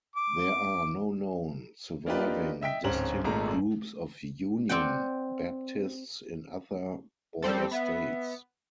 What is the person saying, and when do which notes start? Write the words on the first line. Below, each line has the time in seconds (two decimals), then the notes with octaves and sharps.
There are no known surviving distinct groups of "Union" Baptists in other border states.
0.15 D6
2.06 A#3 D4 D#4 F4 G4 B4
2.61 D#5 E5 G5 B6
2.84 D1 G#2 C4 C#4 A#5 F#7
3.24 G#1 A#2 G#3 A3 A4 A#5
4.69 C4 D5 F#5 G5
7.42 G3 C4 A4 C5
7.71 B3 E5